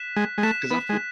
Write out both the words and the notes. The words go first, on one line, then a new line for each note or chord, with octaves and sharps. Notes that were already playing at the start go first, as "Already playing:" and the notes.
'Cause I feel
Already playing: F#6 B6 E7
G#3
G#3
A3 F#6 B6 E7
B3
G#3